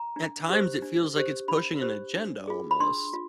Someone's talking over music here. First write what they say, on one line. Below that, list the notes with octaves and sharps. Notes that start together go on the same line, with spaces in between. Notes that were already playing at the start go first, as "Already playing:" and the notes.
at times, it feels like it's pushing an agenda almost.
Already playing: A#5
D4
G4 C5
D4
G4 C5
D4 B5
G4 C5
D4
F4 G#4
B5
D4 C6
F4